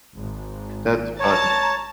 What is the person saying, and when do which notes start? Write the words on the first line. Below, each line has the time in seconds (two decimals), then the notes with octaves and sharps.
That's fun,
0.17 G#1
1.20 C#5 A5 A#5 A6